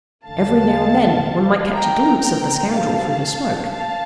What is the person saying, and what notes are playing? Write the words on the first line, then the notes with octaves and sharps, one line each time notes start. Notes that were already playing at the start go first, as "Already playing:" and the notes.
Every now and then one might catch a glimpse of the scoundrel through the smoke.
E2 D3 A3 F5 A5
G5 A#5
A#2 G3 C4 G5 A#5
F5 A5
F5 A5